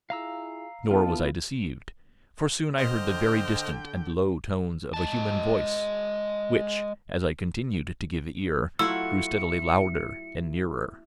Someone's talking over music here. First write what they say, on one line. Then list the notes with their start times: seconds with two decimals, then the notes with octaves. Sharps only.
Nor was I deceived, for soon I heard the very distant and low tones of a human voice, which, as I continued to give ear, grew steadily louder and nearer.
0.10 E4 F4 G#4 F5 A#5 E6
0.91 B3 E4 F4 A4
2.78 D3 C5 D#5 G5 F6
4.94 G#3 A5
8.79 F#3 A3 E4 F4 F#5 E6 C#7